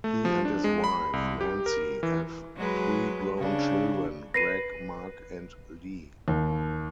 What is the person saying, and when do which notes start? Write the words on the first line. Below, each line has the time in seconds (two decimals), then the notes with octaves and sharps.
He and his wife, Nancy, have three grown children, Greg, Mark and Lee.
0.04 A3
0.25 F3
0.45 D4
0.64 G#3
0.84 B5
1.13 C2
1.41 G4
1.66 A#4
2.03 E3
2.56 F#3 G#3 B4
3.38 C#3 D4
4.34 B4 A#6 C7 D#7
6.28 D#2